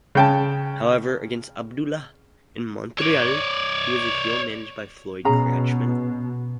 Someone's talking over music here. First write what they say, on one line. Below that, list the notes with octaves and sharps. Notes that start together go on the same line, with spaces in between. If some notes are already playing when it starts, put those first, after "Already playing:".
However against Abdullah in Montreal he was a heel managed by Floyd Creatchman.
C#3 G5 A5
C#5 D5
B2 C#4 G#4 A#5